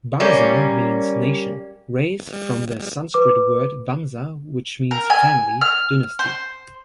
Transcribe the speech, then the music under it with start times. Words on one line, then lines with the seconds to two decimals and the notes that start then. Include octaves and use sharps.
"Bangsa" means "nation", "race", from the Sanskrit word "vamsa" which means "family", "dynasty".
0.20 G3 A#3 C#4
3.14 B4 D6
4.91 A#4
5.10 G#5
5.61 F6
6.19 C5